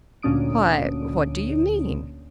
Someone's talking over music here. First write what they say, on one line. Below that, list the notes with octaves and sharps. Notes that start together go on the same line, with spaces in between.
"Why, what do you mean?"
D2 A#2 C#4 D4 D#6 D7